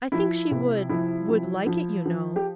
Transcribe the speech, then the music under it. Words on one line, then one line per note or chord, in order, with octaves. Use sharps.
"I think she would,--would like it, you know."
F3 E4
C3
F3 E4
F3
F3
F3
G4